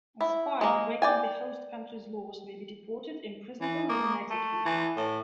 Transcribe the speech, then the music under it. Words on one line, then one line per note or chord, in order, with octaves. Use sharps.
A spy breaking the host country's laws may be deported, imprisoned, or even executed.
E4
G#3 A#3
D5 G5 G#5
E3
A#3
A3
E3
A2